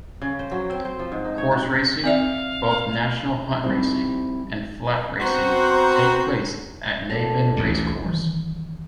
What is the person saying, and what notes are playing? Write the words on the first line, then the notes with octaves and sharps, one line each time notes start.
Horse Racing, both National Hunt racing and Flat racing, take place at Navan Racecourse.
C#3
C5
F#3
C4
C5
F3
G#2
D#4
C#5
F#4
C4 D5 E5 F5
F3 G3 C4 D#4 E4 G4
B3 C4 F#4 C5 A#5 C6
F2 D3 A5
A1 D2 G2
D#3 E3 G3